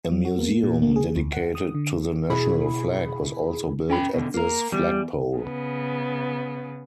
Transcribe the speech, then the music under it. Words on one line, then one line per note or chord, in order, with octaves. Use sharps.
A museum dedicated to the national flag was also built at this flagpole.
F#3
F#4
A#3
A#2
A#3
G#4
D2
F#5
D#6
D3
B2 E4 G#4 B5
C#4 G5 B5
B2 D3
A#3 A#4
E2 G3
C#3 B3